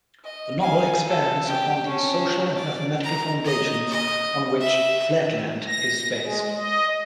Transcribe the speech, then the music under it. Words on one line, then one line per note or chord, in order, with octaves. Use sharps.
The novel expands upon the social and mathematical foundations on which "Flatland" is based.
D#5
F5 G#5
A4
G4 G5
C#4 D4
D5
A#5
D#5
D#5
E5
A#6
G#3
D#5